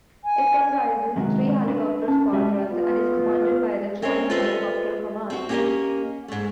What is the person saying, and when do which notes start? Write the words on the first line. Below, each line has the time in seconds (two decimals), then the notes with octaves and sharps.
It comprises three helicopter squadrons and is commanded by the Joint Helicopter Command.
0.24 G#5
1.16 F#2 C3 D#3 F#3 G#3 F#4
1.68 D4 B4
2.08 C#4 A5
2.32 C2 G#3 F#4 G4 E5 G#5
2.70 B3 F4
4.02 C4 C#4 A#4 C5 C#5
4.30 F4 A4 B4 C5 D#5 E5
5.30 C4 F#4
5.49 A#3 C#4 G4 G#4 A#4 D#5
6.28 G#2 A3